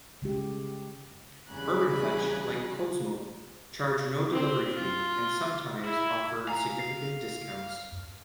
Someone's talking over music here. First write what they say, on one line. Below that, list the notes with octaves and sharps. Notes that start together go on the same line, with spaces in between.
Urbanfetch, like Kozmo, charged no delivery fee and sometimes offered significant discounts.
C#3 G#3 G4
E2 C#3 G3 G#5 B5 F#6
C4
F4
E4
F5 G#5 A#5
C7